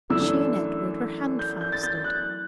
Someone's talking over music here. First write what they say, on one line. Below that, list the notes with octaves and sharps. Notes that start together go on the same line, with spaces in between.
She and Edward were handfasted.
F#2 E3 A3 D4 E6
G6
G6
A6
G6
F#6